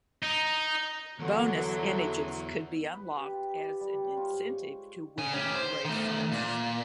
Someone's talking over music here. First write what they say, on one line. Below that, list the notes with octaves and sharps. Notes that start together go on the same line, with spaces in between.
Bonus images could be unlocked as an incentive to win races.
D#4
E2 D3 F#3
B4
G4
F4
D5
G3
C#5
F4
G#2
C#6
C#3 G#5
C#4 G4
C5
D#3 A3
A#2